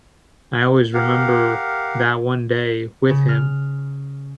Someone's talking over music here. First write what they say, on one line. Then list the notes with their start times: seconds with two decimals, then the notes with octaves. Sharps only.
I always remember that one day with him.
0.94 G4 A#4 F5 F#5
3.10 C#3
3.29 F6